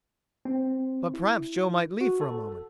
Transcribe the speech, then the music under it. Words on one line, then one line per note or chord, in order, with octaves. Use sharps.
But perhaps Joe might leave for a moment.
C4
E4
F#4
A4